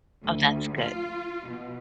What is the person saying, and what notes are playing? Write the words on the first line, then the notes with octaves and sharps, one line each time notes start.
Oh, that's good.
D2
F4
B2